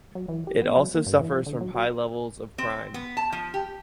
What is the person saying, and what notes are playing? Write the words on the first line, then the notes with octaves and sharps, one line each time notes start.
It also suffers from high levels of crime.
F#3
E3
G4
B3
F#3
A#3
G2
E3
F3
D3
F#3
F#4
C4
B3
A5
F3
G4